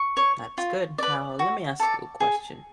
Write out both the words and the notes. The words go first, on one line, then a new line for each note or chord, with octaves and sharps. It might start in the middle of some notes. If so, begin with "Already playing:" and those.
That's good, now let me ask you a question.
Already playing: C#6
C#5
F4
B4 D5
F#4
A4 D5
G#4